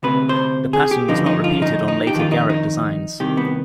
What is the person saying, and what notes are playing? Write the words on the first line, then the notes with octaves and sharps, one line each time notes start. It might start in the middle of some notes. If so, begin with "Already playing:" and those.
The pattern was not repeated on later Garratt designs.
D2 C3 B4
C5
G#4
G4
G2 D3 F3 D#4
D#4
F4
D#4
D#4
G4
F2 D#3
F4
D#4
D#4
C2 C3 D#3 G4
B3